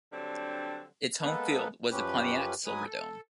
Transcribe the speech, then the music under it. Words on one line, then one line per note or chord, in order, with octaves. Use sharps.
Its home field was the Pontiac Silverdome.
D3 F#3 G3 C4 D4
G#3 A#3 B3 A4 B4
F#2 F3 C#4 G4 B4
G#2 F#3 G#3 B4 G#5 D#6
A4